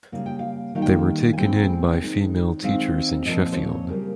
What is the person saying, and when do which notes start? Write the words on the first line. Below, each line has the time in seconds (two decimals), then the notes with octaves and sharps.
They were taken in by female teachers in Sheffield.
0.12 C#3 G3 A#3 F5
0.26 G5
0.39 F5
0.75 D#3 G3 A#3 F5
0.82 G5
0.89 F5
1.33 G#5
1.38 A#2 G#3 C4 G5
2.01 D#3 G#3 C4
2.63 D#3 G#3 C4 F5
3.25 A#2 F3 C4 D#5
3.52 C5
3.57 C#5
3.88 C#3 G3 A#3 A#4